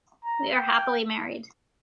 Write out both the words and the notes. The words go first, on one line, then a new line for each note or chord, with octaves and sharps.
We are happily married.
A#5
G5